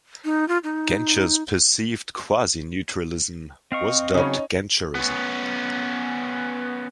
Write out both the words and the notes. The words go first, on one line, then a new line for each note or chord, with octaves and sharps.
Genscher's perceived quasi-neutralism was dubbed "Genscherism".
D#4
F4
D#4
C4 D#5 F5 C#6
C#3 F#3 C#4 D#4
B3 C#4